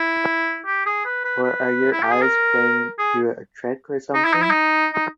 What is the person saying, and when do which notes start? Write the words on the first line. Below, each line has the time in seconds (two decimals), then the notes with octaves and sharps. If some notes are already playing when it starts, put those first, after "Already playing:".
Or are your eyes playing you a trick or something?
Already playing: E4
0.66 G4
0.86 G#4
1.05 B4
1.25 B4
1.43 B4
1.92 E4
2.03 G4
2.12 G#4
2.21 A#4
2.99 G#4
4.15 D#4
4.25 E4
4.33 D#4
4.42 E4
4.51 D#4
4.93 D#4